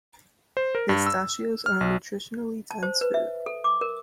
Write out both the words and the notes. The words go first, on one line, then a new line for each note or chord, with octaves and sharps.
Pistachios are a nutritionally dense food.
C5
A#4
G2
E6
F6
B1
A5
C5
B4
E5
A4
D6
A#4